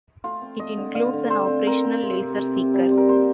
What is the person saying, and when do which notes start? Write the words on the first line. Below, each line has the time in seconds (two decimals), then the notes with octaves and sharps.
It includes an operational laser seeker.
0.24 A3 F4
0.42 C4
0.60 A3 D#5
0.77 D3
0.95 D3 F5
1.13 D3
1.30 C4 C5
1.48 C4
1.67 C4 A#4
1.84 C4
2.02 C3
2.20 C3
2.38 C3
2.56 C3
2.74 G3
2.91 C4
2.97 A#4
3.09 A#3 C5